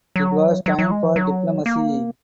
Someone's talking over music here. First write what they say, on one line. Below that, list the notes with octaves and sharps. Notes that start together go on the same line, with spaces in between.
It was time for diplomacy.
F#3
F#3
F#3
G#3
F3
F#3
A#3